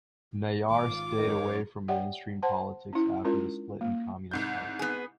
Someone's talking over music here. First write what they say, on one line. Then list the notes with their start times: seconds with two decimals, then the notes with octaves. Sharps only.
Nayar stayed away from mainstream politics after the split in Communist party.
0.70 G#1 F4 D6
1.18 F#2 D#3 G#3 C#5
1.88 G4 C#5 D5 E5 F#5 G5
2.42 C5 F#5 A5 C6
2.93 C#4 E4
3.24 G#3 C#4 D4 F4 A#4
3.81 A#3
4.31 C2 G#2 G6
4.79 B3 G#4